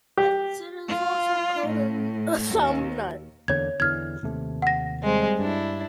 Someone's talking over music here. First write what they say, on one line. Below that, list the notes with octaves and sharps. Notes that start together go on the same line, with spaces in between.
Hence it is also called a thumb nut.
G4
F4
A2
D#2
E2 D3 A#3 C#5 G#6
E2 D3 E3 F6 G#6
D#2 C3 A3
F#5 A#6
G3 G#3 C4
G2 D4 E4